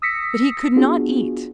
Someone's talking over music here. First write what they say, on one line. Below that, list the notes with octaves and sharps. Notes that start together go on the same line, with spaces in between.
But he could not eat.
D#6 E6 A#6 B6 C#7
B3 D4 F4 F#4 G#4